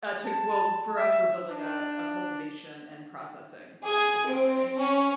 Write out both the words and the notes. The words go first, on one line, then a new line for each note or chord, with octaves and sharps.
Uh, to well, for us, we're building a a cultivation and processing, um, company.
A5
E5
D4
G#4 G#6
C4
C#4